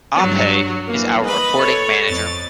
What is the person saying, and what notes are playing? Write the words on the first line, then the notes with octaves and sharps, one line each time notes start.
Abhay is our reporting manager.
G2 F#3
E3 A#3
B4 D#5 B5
A4 C#5
F2 A6